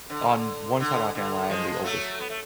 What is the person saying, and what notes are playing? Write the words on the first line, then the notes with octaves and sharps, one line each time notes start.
on one side of my family, I am the oldest,
D3
D3
D3
F3 G#3
F#3 A3
B3
A3